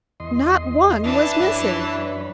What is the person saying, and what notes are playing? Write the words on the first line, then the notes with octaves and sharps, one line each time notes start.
Not one was missing.
E2 D#5 C6
E3 D4 A5
F#2 C#5 B5